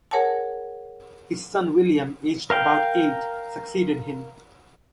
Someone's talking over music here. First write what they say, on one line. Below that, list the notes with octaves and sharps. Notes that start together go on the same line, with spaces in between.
His son William, aged about eight, succeeded him.
G#4 A#4 C#5 F#5 G#5 A5
A#4 F5 G5